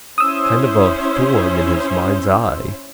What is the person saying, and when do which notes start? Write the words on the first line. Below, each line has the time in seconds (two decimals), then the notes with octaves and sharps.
Kind of a form in his mind's eye.
0.18 C#4 E4 C5 D#6 E6